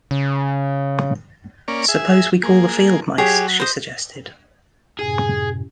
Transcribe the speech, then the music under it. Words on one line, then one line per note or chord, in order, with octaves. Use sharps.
"Suppose we call the Field Mice," she suggested.
C#3
A#3 C#4 D5
G#4 E5
A#3 G#4
F#3 G4 G#4 C#5
C5 D#5
F#2 A2 C3 G#4